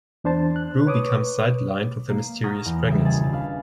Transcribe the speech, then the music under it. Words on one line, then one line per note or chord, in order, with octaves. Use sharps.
Drew becomes sidelined with a mysterious pregnancy.
E2 D4 C5 A5
F#6
B4 C#5 D6 D#6
A#3
F#5 A#5 C#6 D#6 F6
E2
C#3 G3 E5
D#1 C#2 G#4 A6
D4 B4 F5